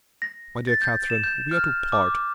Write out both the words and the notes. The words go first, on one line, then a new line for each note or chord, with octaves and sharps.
My dear Catherine, we are to part.
A#6
A6
G6
E7
G6
F6
D6